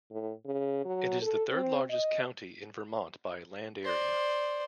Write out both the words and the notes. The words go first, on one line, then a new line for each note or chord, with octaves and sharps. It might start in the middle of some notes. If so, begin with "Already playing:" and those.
It is the third-largest county in Vermont by land area.
A2
C#3
F#3
A4
C4
D#5
C5 D5